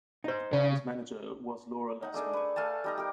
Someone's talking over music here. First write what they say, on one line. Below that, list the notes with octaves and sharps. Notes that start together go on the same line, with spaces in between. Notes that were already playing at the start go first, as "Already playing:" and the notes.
The band's manager was Laura Lassman.
D#4 C5
C#3
D#4 F#5
A3 D4 G#4 A#4
B4 C#6
A3 F5 G#5 A5
G3 D#4 A#5
G4 A#4